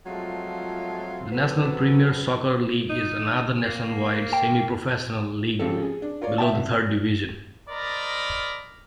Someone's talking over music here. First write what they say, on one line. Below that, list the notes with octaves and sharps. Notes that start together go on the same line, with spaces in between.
The National Premier Soccer League is another nationwide semi-professional league below the third division.
F3 F#3 G#3 A3 C4 F4
C3 F#3 C4 A4 B4
D#4
A#3
G5
G#1 C#3 F3 G4 A4
G#4
D4
F4 A#4 C#5 D5
E5 G5 A5
C2
A#4 C5 D5 D#5 A#5 B5